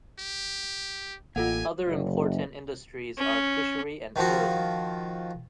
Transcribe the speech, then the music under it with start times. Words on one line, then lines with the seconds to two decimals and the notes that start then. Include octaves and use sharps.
Other important industries are fishery and tourism.
0.19 G4
1.36 A1 A#3 F4 A4 F#5 G#5
1.87 F#1
3.17 C#4
4.16 D#3 F3 F#4